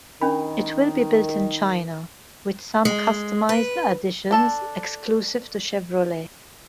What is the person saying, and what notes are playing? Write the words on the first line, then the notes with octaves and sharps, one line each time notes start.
It will be built in China, with some customized additions exclusive to Chevrolet.
D#3 C#4 D4 B5
G#3
B4
D4 A4 A5